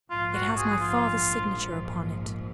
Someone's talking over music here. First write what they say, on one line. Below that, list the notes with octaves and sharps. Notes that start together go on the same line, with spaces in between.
"It has my father's signature upon it."
A#1 G#2 F3 F4
F#4
G#4
F4